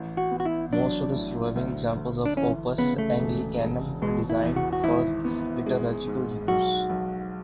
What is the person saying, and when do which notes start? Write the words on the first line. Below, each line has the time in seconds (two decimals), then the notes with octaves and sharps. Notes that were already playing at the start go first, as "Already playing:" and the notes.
Most of the surviving examples of Opus Anglicanum were designed for liturgical use.
Already playing: A1
0.17 F#4
0.31 B3
0.40 F#4
0.45 E4
0.73 F#3 D4
1.14 A2
1.56 D2
1.96 D2
2.25 D4
2.37 E3 C#4
2.78 C#3 B3
2.98 A3
3.20 E1
3.60 E1
4.02 B2 G#3
4.30 E4
4.43 E2
4.56 F#4
4.73 F#4
4.84 G#1 E4
5.25 B3
5.66 G#3
6.07 G#2
6.48 B1 F#4
6.90 B1